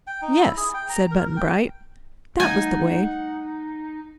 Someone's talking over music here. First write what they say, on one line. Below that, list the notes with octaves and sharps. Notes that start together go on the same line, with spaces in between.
"Yes," said Button-Bright; "that was the way."
G5
D#4
E4
G#4
G5
A#5
A#4
A#4
G5
G3 A3 D#4 F#5 G#5